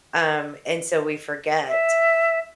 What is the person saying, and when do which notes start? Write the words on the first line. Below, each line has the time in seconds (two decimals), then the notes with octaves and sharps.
um, and so we forget.
1.68 E5